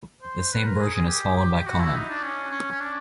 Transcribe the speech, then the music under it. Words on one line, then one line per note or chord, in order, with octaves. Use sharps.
The same version is followed by Conon.
C5
B4
A#4
G#4
G#4
G4
G4
F#4
E4
D#4
D4
C#4
C#4
C#4
D4